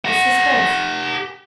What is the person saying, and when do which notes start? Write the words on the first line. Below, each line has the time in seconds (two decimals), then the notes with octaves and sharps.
This suspense!
0.05 G4 F#5